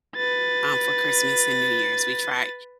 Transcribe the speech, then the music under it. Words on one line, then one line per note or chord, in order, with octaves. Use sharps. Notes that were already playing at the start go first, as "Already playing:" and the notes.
um, for Christmas and New Year's, we try
B4 A6